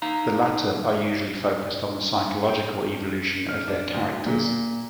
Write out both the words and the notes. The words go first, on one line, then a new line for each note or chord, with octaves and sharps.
The latter are usually focused on the psychological evolution of their characters.
D#4 F5 A#5
G5
F6
D4
D2
A#2